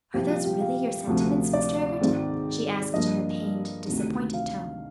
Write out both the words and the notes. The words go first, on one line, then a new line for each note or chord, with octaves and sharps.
"Are those really your sentiments, Mr. Egerton?" she asked, in a pained, disappointed tone.
C2 A#2 F3 C4 G4
F4
G4
F5
D2 C3 F3
D5
G#2 D#3 G#3 C4
G2 F3 A#3 D#5
D2 C3 D#3
F5